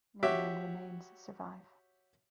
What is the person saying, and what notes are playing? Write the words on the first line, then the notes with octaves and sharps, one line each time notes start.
No known remains survive.
F#4 G4 C#5 E5 D6